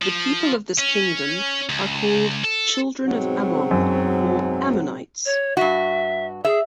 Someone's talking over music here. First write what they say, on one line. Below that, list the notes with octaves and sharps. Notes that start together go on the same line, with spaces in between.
The people of this kingdom are called "Children of Ammon" or "Ammonites".
F3
C#4
C#2
A4
G#2 B2 F#3 C4
F#2
C#5
G2 F#4 E5
G#4 E5